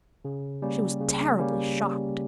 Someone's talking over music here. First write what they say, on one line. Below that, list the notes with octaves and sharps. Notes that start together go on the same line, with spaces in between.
She was terribly shocked.
C#3
G3 A#3 C#4 G4
C#3
G3 A#3 C#4 G4